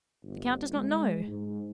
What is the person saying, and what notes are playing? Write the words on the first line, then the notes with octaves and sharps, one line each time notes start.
"The count does not know?"
G1
G#3
G#2